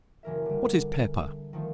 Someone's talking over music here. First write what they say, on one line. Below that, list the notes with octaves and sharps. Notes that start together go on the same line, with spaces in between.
What is Pepper?
F#1 E3 A#4 E5
D3 G3
D#3 F3 A3